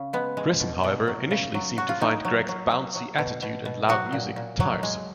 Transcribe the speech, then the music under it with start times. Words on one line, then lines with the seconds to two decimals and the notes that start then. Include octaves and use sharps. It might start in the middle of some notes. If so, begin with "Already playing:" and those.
Grissom, however, initially seemed to find Greg's bouncy attitude and loud music tiresome.
Already playing: C#3
0.13 G#3 B3
0.37 G#3
0.60 B2
0.84 B2
1.07 F#3
1.31 C#3
1.54 F#3
1.77 F#3 F#4
1.89 F4
2.01 F#3 D#4
2.25 F#3
2.49 F#3
2.72 F#3
2.95 F#3
3.18 B2
3.43 B2
3.65 B2
3.89 F#3 F#4
4.13 A#2
4.36 A#2
4.60 F#3
4.83 G#3